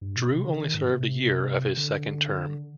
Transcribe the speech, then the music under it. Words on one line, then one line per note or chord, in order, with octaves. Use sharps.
Drew only served a year of his second term.
G2
B2
C3
D3
D#3
G#2
C3
D3